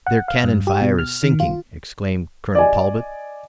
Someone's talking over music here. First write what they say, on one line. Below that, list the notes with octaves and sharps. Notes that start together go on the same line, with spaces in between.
"Their cannon fire is sinking!" exclaimed Colonel Talbot.
F#5
F5
G2
G4
B2
F6
D#3
F4
D5 D#5 G#5